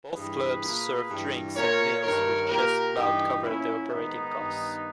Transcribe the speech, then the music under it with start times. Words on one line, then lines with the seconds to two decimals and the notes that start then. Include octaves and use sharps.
Both clubs served drinks and meals which just about covered the operating costs.
0.14 G2 E3 G#4 B4
0.61 A#2
1.09 G2 E3
1.56 A#2 A#4 C#5
2.02 G2 D#3 A#4 C#5
2.49 A#2 G4 A#4
2.96 G2 E3 D#4 G4
3.43 A#2 C#4 E4
3.90 G#2 D#3 B3 D#4
4.38 G2 D#3